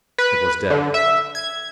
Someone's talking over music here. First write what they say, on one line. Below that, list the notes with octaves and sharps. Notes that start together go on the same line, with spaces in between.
It was dead.
B4
D3
E5
G#6